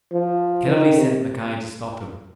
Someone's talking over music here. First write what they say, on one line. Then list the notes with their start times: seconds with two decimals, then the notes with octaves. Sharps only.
Kennedy sent Mackay to stop him.
0.12 F3
0.68 D#3
0.98 C3